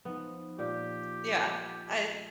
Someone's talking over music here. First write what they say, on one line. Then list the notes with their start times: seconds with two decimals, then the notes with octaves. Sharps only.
Yeah. I'd
0.05 F3 B3 D#4
0.59 A#2 G4